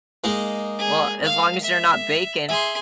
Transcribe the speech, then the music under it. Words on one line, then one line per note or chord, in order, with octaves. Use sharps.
Well, as long as you're not baking.
G#3 A#3 D#4
G#4
F5
E5
G#4 E5 C6